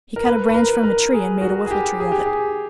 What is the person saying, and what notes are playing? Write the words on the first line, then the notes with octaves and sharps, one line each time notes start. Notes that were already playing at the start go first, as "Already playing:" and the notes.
He cut a branch from a tree and made a whiffle-tree of it.
A#4
B4
B4
A#4
A#4
G#4
F#4
G#4
G4
G#4
G4
G#4